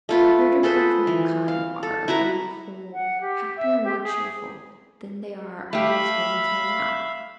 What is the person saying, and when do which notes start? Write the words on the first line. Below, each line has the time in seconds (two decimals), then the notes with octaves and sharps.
The greater part of mankind are, upon the whole, happier and more cheerful than they are always willing to allow.
0.09 A3 F4 B4
0.63 G#4 A4 B4 C5
1.07 E3
1.48 F5
1.83 A4
2.08 E4 F#4 B4 A#5
2.93 F#5
3.21 G4
3.56 E5
3.84 G4
4.03 G#4
5.73 A3 G4 E5 F5 B5